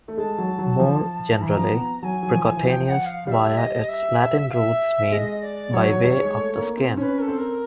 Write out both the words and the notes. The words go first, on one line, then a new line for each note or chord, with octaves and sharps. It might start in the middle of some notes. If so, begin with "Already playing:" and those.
More generally, "percutaneous", via its Latin roots means, 'by way of the skin'.
A3
G#3 A5
F#3
F#3
F3
E3 B5
A#5
F3
B3
F#3 G#5
F#3
F3
E3
F3 G5 G#5
G5
F#5
F5
G3 E5 F5
D#5
E5
F5
E5
G#3 D#5
D5
F#3 C#5
F#3
G3
G#3
A3
A#3
C4
C#4 B4 C#5
A#4
A4
C4
A#4